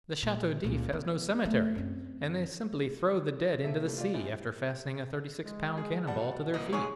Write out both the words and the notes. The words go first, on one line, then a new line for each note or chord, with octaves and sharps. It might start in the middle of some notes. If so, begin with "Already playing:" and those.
"The Chateau d'If has no cemetery, and they simply throw the dead into the sea, after fastening a thirty-six pound cannon-ball to their feet."
A#2
C#2 A#2
B3
A3
F#2 C4
C3 A#3 A4 E5
G3 A3
F4 D5
A#1 C3
G#3
G#4
B2 G3 F#5 A5
C2 A#3 D#5
G#2 G#4 C#5